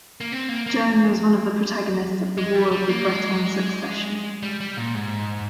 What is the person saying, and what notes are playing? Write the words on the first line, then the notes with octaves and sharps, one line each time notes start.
Joan was one of the protagonists of the War of the Breton Succession.
A#3
C4
A#3
A#3
G#3
G3
G3
A#3
G#3
G3
G3
A#2
G#2